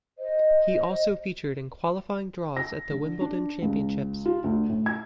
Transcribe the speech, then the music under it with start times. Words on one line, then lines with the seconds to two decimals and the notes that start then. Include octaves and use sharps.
He also featured in qualifying draws at the Wimbledon Championships.
0.19 C5 D#5
2.57 A#6
2.91 D3
3.21 D4
3.62 C#2
4.26 F4
4.44 D2
4.69 A2
4.86 G#6